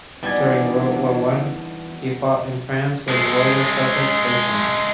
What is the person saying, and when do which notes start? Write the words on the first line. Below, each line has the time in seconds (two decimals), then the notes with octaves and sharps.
During World War One he fought in France with the Royal Sussex Regiment.
0.23 B2 D#3 E3 G3 D4 G#5
3.08 G#3 A4